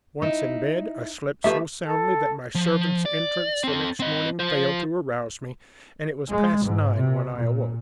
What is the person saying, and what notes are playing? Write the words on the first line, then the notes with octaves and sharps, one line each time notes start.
Once in bed, I slept so soundly that my servant's entrance the next morning failed to arouse me, and it was past nine when I awoke.
D#4 E4
F3 A3 G4 B4 E5
A4
F3
D5
C4 A4
C4 D#5
F4 C5
G#3
G#2
C3
A#2